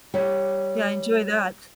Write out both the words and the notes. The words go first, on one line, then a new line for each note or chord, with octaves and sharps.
Yeah, I enjoy that.
G3 G4 C#5 D5